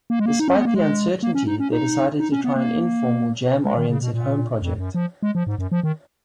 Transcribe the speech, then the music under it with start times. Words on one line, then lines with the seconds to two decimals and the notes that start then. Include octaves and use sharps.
Despite the uncertainty they decided to try an informal jam-oriented home project.
0.10 A#3
0.19 G#3
0.26 A#3
0.39 D#4
0.48 C#4
0.56 B3
0.65 A#3
0.74 G#3
1.23 A#3
1.35 C#4
1.47 D#4
1.59 C#4
1.72 D#4
2.20 D#4
2.32 C#4
2.44 B3
2.56 A#3
3.65 G#3
3.78 D#3
3.90 C#3
4.02 B2
4.14 A#2
4.62 F2
4.78 F#2
4.94 F3
5.23 G#3
5.35 F3
5.47 G#2
5.59 F#2
5.72 F3
5.83 D#3